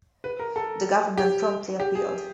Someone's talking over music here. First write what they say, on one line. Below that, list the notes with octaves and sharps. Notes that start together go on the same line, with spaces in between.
The government promptly appealed.
B4
A#4
A4
G4
G4
G#4